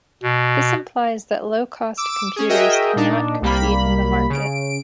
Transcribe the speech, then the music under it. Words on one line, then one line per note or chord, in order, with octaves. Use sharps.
This implies that low-cost computers cannot compete in the market.
B2
D6 E6
C#4 G#4
F#4 G#4 A#4 D#5 E5 G5
A#2 D4 D#4
C2 G3 A#3 B5
C#3 D7